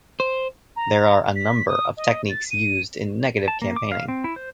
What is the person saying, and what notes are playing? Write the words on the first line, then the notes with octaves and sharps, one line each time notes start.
There are a number of techniques used in negative campaigning.
C5
A#5
B6
D#6
D#5
A6
D#7
A5
A#3
D6
F5
C4
E4
C5